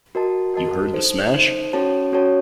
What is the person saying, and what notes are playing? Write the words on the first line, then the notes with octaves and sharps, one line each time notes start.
You heard the smash?
F#4 A#4 D#5 A5
F#4 A#4 D#5 A5
D#4 A4 C5
D#4 A4 C5
C#4 F#4 A4 C#5 A5
C#4 F#4 A4 C#5 A5